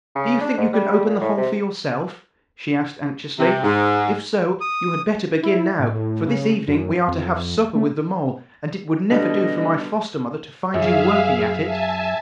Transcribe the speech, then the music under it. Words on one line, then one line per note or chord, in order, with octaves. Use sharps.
Do you think you can open the hole for yourself?' she asked anxiously. 'If so, you had better begin now, for this evening we are to have supper with the mole, and it would never do for my foster-mother to find you working at it.'
C#3
D4
G#2
G3
A#2
A2
C3
C3
G#2
D#6
E4
A2
C#3
F#2
F2
A3
B2 D3 G3 D#5
F#2 G#4 E5 F5
E5 G#5 A5